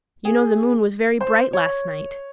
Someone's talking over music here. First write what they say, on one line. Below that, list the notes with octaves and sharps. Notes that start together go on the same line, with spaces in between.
You know the moon was very bright last night.
G#4
C5
C#5